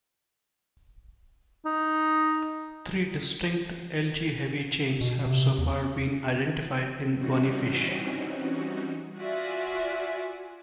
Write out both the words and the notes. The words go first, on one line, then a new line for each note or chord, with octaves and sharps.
Three distinct Ig heavy chains have so far been identified in bony fish.
D#4
B2
C3
E2
E3 G3 C4 C#4 D#4 F#4
F4 F#4 D5 E5 G#5